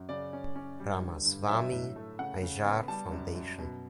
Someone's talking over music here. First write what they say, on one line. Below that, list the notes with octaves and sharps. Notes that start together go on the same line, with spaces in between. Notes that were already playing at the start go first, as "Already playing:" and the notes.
Ramaswami Aiyar Foundation.
Already playing: F#2
C#3 D5
C#4
C#4
G3
D3
G2
F#3 E5
A2
A3
C#3 F#5
C#3
B3
G3 A5
F#2
F#2
B2